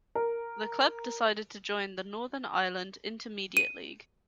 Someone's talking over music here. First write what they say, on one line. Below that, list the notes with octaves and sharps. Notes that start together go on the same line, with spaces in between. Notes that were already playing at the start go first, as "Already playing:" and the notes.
The club decided to join the Northern Ireland Intermediate League.
A#4
D#7